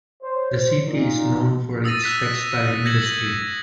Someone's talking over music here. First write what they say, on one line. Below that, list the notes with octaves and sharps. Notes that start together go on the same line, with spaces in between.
The city is known for its textile industry.
C5 C#5
A#2 D#4
D#6 E6 A6 A#6 D#7
F#6 B6 E7
G6 G#6 A#6 C#7 E7 F#7